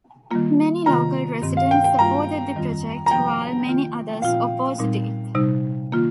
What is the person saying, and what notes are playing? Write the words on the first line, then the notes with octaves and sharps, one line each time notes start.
Many local residents supported the project, while many others opposed it.
D#3 G3 A#3 F4
C3 D#3 A#3 F4 A#5
G2 D#3 C4
F5
G5
G5
G2 G3 A#3 F4 A#5
F2 D#3 G3 C4 F4
A#5
C3 F3 A#3 G5
D#3 A#3 F4
A#2 F3 C4 F4 F5
A#2 G3 C4 D#4
C3 G3 D#4
D#3 A#3 F4